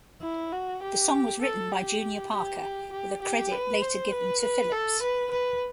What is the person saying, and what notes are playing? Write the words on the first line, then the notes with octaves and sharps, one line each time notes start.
The song was written by Junior Parker, with a credit later given to Phillips.
E4
F#4
G4
A4
G4
G4
G4
G4
G4
B4
C5
B4
B4
A4
B4
B4